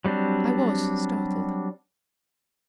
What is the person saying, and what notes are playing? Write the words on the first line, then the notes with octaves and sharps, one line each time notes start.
'I was startled.
F#3 G3 C4 D4